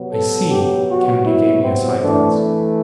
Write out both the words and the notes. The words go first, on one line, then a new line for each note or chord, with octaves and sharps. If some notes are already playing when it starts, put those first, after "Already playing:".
"I see!" Kennedy gave me a side glance.
Already playing: C3 F#3 B3
A4
G4
F#4
E4
C4
E3 A3 C4 D4